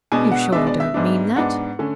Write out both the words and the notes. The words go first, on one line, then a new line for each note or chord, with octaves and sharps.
"You surely don't mean that?"
B2 G#3 B3 D4 G#5
F#5
B2 G#3 B3 D4 E5
D5
E5
G#2 G#3 B3 D4
G#2 G#3 B3 D4 F#5
D3 A3 C#4